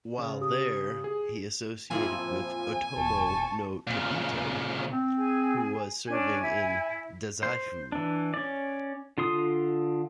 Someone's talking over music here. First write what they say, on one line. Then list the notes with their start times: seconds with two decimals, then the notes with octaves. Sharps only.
While there, he associated with Otomo no Tabito, who was serving in Dazaifu.
0.18 C#3
0.41 G4 D#6
1.04 G#4
1.91 F2 A#2 F3 E4 G#5
2.97 E1 A5 C#6
3.87 A#2 C#3
4.92 C4
5.17 G#4 G#5
6.08 C#4 D4 G#5
6.42 E4
7.43 C5
7.92 E3 D4
8.34 C#4 D5
9.18 D3 F4 C6 D#6